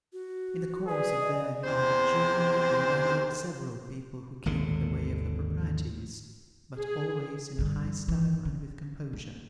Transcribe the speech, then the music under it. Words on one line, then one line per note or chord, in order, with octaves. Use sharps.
In the course of their united journey, they ran over several people who came in the way of the proprieties; but always in a high style and with composure.
F#4
G#4 B4 D5
D#5
E2 C3 C5
G#1 D#2 D3
G#4
G2 D3
E3
D3
A#3